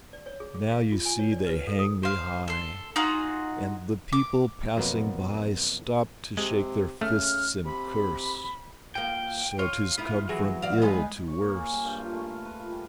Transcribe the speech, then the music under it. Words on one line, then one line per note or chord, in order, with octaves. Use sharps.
"Now, you see, they hang me high, And the people passing by Stop to shake their fists and curse; So 'tis come from ill to worse."
D5
C#5
G#4
G#4
F5
F4
G#5
C#5
D5
B4
A4
D#6
C5 F5
A4 C6
D#4 F4 F#4 G#4
D6
F2 B2 F#3 A#3 B3
C3 G#3
C#3 A3 F6
C3 B5
F3 A#3 G5
F4 C#5
B3 D#4 E4
E3 F#3 G#4
D5 F5
G#3 B3 D#4
C#5
A#3
G#4
G3
G2
F4
A3
B4
B4
F4
G3